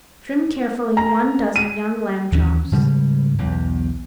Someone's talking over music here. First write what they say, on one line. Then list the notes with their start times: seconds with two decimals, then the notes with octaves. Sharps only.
Trim carefully one dozen young lamb chops.
0.97 A#5
1.56 D#7
2.32 D#2 E3 C#4
2.72 G#2 C#3 G3
3.38 B1 E2